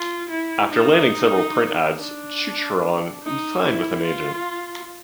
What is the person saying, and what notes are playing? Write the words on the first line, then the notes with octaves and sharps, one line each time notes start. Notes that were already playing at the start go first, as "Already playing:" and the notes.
After landing several print ads, Chuchran signed with an agent.
Already playing: F4
E4
D#4
D4
D#4
E4
F4